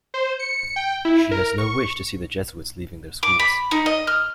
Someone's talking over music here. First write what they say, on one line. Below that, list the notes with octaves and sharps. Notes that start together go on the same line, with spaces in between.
She has no wish to see the Jesuits leaving their schools.
C5
C#7
G5
E4
A#4
C#6
D6
B5
D#4
D#5
F6